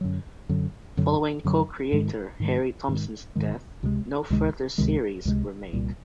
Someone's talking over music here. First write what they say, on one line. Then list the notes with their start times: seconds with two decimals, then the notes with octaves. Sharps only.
Following co-creator Harry Thompson's death, no further series were made.
0.01 F#2 D3 F#3
0.49 F#2 D3 F#3
0.97 F#2 D3 F#3
1.44 F#2 D3 F#3
1.92 G#2 D#3 G#3
2.40 G#2 D#3 G#3
2.88 G#2 D#3 G#3
3.35 G#2 D#3 G#3
3.83 C#2 C3 D#3 G#3
4.30 C#2 C3 D#3 G#3
4.78 C#2 C3 D#3 G#3
5.25 C#2 C3 D#3 G#3
5.73 C2 A#2 G3